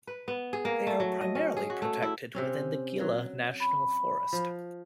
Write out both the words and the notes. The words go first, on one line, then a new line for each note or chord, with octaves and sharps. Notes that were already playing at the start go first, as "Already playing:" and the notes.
They are primarily protected within the Gila National Forest.
B4
B3
G#4
A#3
A3
F#3
D#5
C#4
G#4
F#4
A3
E4
C3 C4 C#4
F#3
B5
F3